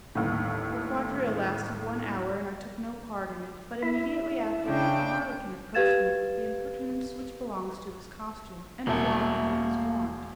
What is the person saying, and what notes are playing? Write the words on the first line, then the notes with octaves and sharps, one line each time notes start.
The quadrille lasted one hour, and I took no part in it, but immediately after it, a Harlequin approached me with the impertinence which belongs to his costume, and flogged me with his wand.
G1 D#2 A2
E4 E5
C#3 D4 G5
G4 B4 F5 G#6 A6 E7
E1 A#3 E5